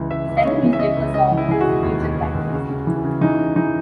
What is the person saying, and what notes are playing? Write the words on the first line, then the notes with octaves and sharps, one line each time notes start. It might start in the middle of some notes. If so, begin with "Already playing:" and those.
Several newspapers saw her as a future prime minister.
Already playing: C#2 E3
C#2 E5
C#2
D#5
C#3 C#5
E3
E5
C#2 D#5
C#2
C#3 D#5
E3
E4
E3 G#4
F#4
E1
D#2
D#2
D#2
D#2
C#3
C#3
E3
C#3
E3 D#4
C#3
E3 D#4